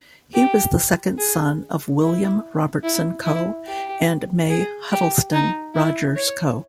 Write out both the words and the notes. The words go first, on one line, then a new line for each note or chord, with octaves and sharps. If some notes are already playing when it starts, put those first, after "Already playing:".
He was the second son of William Robertson Coe and Mai Huttleston Rogers Coe.
G4
G#4
E4
E4
E4
G4
G#4
G4
D#4
E4
C#5